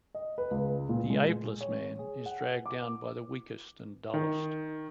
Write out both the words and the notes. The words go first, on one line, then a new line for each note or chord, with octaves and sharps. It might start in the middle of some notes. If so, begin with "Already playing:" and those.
The ablest man is dragged down by the weakest and dullest.
D#5
B4
C#2
A#2
G#3
C#5
G#4
F#5
D6
D#3